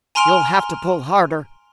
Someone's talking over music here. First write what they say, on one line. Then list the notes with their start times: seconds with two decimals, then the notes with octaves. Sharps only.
"You'll have to pull harder."
0.15 G#5 A#5 C6 F6 D7 F7